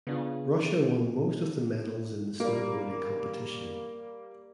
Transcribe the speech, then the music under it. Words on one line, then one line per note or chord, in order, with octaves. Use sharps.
Russia won most of the medals in the snowboarding competition.
C#3 B3 D4 F4
G3 A#3